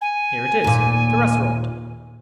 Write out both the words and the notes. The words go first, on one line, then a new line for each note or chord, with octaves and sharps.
Here it is--the restaurant.
G#5
D#2 A#2